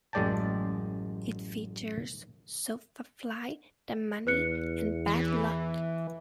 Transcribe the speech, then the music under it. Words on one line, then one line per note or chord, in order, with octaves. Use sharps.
It features Soopafly, Damani and Bad Lucc.
A1 F#2 G#3 D5 G5 A5
E2 B4 F#6 C#7
E3